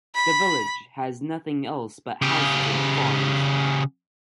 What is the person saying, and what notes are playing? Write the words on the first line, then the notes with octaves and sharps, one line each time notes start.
The village has nothing else but houses and farms.
B5
C#3 G4